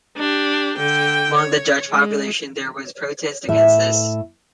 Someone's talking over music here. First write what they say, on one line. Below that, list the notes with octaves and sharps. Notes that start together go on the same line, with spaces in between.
Among the Dutch population there was protest against this.
D4 G4
D3 G5
C#5
G#3
A2 E5